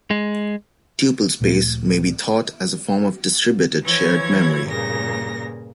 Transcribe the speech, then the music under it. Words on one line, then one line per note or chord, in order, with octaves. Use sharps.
Tuple space may be thought as a form of distributed shared memory.
G#3
D2 A#2 F3 A3
E3 F3 E4 C#5 G#6
G2 A#2 C#3 A#3 A#4 A#6